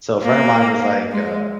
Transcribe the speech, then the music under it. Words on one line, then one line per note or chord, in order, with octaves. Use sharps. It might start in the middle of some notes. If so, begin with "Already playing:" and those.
so, a friend of mine was, like, uh
A#3
G#3